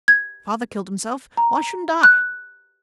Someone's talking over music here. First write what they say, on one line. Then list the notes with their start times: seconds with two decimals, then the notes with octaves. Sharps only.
Father killed himself--why shouldn't I?
0.08 G#6
1.37 A#5
2.03 F#6